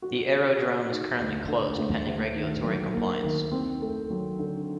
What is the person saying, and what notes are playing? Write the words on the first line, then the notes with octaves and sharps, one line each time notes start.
The aerodrome is currently closed pending regulatory compliance.
F#4
F#4
F#4
D#4
D2
D3
D2
D2
D#3
F#3
A#3
D#3
C4
A3
F#3
D3